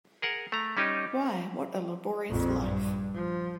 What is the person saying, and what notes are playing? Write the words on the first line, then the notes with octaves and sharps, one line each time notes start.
Why, what a laborious life!
G#4 A#4 F#5
A3 A#5
G3 C#4 D#4 G4 D#5
A#1 F2
G2
F3